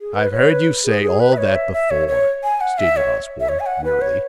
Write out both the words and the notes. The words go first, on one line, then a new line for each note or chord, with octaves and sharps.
"I've heard you say all that before," stated Osborne, wearily.
G#4
B4
C#5
B4
G#4
G#4
B4
E5
C#5
E5
E5
C#5
C#5
G#5
F#5
E5
C#5
E5
C#5
G#5
F#5
B4
C#5